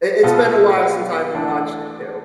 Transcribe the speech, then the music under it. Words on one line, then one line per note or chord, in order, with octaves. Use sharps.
I It's been a while since I've watched it too.
B2 B3 F4 A4
E3 A3 D4 A4